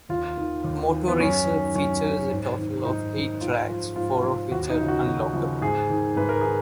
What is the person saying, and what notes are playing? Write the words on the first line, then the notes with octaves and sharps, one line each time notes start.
Moto Racer features a total of eight tracks, four of which are unlockable.
D#2 F4
D#3
D#2
D#3
B3
F#2 C#4
D#3
F#2 C#4
D#3
G#2
D#3
G#2 D#4
D#3
G#2 F4
F3
G#2 F4
F3
D#2 F#4
D#4
C#3 F3
F#4
D#2 F#4
C#3 F3
G#2 G#4
D#3
G#2 B4
A#4
D#3 G#4